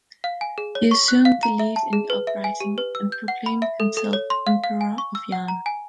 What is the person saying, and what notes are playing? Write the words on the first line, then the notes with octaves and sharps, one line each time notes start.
He assumed the lead in the uprising and proclaimed himself Emperor of Yan.
F5
G#5
G#4
C#5
C#6
F#6
F5
A#5
E5
A5
G#4
B4
E5
G#5
G4
B4
E6
G6
F#5
B5
E5
A4
A4
C#5
C6
F5
F5
G#5
C#6
E6
F#5
A#5
G#5